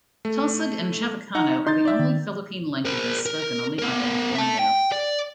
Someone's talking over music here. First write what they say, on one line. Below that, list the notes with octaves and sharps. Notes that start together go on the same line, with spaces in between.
Tausug and Chavacano are the only Philippine languages spoken on the island of Borneo.
A3
D#4 F#5 A#5
D#4 C6 G6 A6
D5 E5
D#3
A#4 C5
A#4
B3 A#4
E5 A5
G5
D5